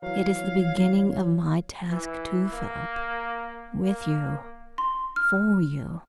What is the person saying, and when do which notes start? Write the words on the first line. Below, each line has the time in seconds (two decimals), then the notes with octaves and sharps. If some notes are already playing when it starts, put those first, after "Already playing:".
It is the beginning of my task, too, Philip, with you--for you.
0.02 E3 F#3 C#5 F5
1.90 E3
2.52 A#3
3.81 A#3
4.78 C6
5.16 F6